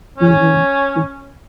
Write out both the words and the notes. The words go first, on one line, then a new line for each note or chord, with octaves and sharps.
Mhm, mm.
C#4